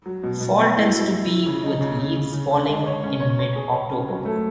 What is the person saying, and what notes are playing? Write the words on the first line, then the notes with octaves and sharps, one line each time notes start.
Fall tends to be with leaves falling in Mid-October.
F#3
B2
B2
B3
E4
F#3
E4
E4
C#3
D#4
C#3
C#3
C#3
C#3
C#3
G#3
C#5
C#4
C#5
C#5
G#4
C#5
C#4
F#3
A3